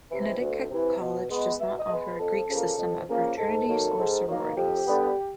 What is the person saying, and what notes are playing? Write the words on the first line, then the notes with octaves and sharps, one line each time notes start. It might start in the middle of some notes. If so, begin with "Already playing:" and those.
Connecticut College does not offer a Greek system of fraternities or sororities.
C3 E3
D2
C3 E3
B2
G#3 B3
B2 E5
D#5
G#3 B3
B4
F2 A4
C#3 F3 A#3
F2
C#3 F3 A#3
G#2 A4
D#3 F#3 A#3
G#2
D#3 F#3 A#3
F2 G4
D3 G3 B3